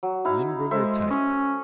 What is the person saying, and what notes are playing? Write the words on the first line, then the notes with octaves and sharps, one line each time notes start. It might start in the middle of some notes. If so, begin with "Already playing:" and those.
Limburger type.
F#3
D#4 E4 F5
G#3 A4 C5 E5
C#4 D#6